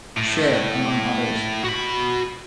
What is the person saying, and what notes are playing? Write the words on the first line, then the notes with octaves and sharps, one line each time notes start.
Sure!, among others.
A2
F#4 B5